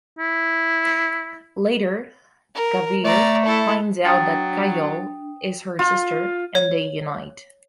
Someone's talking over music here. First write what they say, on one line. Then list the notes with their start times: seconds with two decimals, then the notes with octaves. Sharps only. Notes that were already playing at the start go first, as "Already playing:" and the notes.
Later Kabir finds out that Kajol is her sister and they unite.
0.19 E4
2.55 A#4
3.04 A3 D5 A#5
3.46 E4 A4
4.05 F#3 D4 G5 D#6 A6
5.79 F4
6.55 C#5